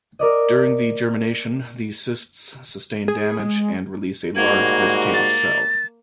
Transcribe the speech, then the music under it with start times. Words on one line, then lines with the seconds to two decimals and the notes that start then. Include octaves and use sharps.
During the germination, the cysts sustain damage and release a large vegetative cell.
0.19 A#4 D5 D#5
3.08 G#4
3.39 G#3
4.36 G#2 G3 A#3 F#4 G#6
5.14 A6